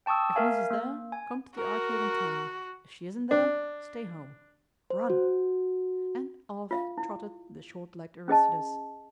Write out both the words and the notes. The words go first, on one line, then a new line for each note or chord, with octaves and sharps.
"If Mliss is there, come to the Arcade and tell me. If she isn't there, stay home; run!" And off trotted the short-legged Aristides.
G5 A5 C#6 D#6 E6
A#4 E5 F5 G#5
A#3
G#5
F#4 A#4
D4
C5
F#4
F4 E5 F5
E4
C#4 G#4 D#5 A5